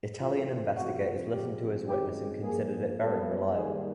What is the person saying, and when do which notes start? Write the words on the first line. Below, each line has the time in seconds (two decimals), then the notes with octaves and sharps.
Italian investigators listened to his witness and considered it very reliabile.
0.19 F#2 C#3 E3 A3 C4 F4
0.75 C3 F3 A3 C4 F#4
1.30 C3 F3 G#3 C4 G4
1.87 F#2 D#3 G#3 C4 G4
2.43 A#2 F3 A#3 G#4
2.99 A#2 G3 B3 A4
3.55 G#2 D#3 G3 A#3 G#4